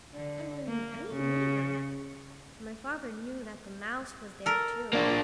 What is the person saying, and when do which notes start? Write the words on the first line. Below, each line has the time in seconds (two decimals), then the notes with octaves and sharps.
"I mean, me neither," and my father knew that the mouse was there, too.
0.14 D3
0.67 A#3
1.11 C#3
4.46 A4 A#4
4.93 A#3 D4